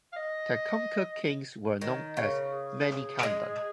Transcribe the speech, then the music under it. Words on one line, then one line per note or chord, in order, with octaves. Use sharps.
Thekkumkur kings were known as Manikandan.
F5
D#5
D#3 C#5
C#3
A#4
G#4
G#3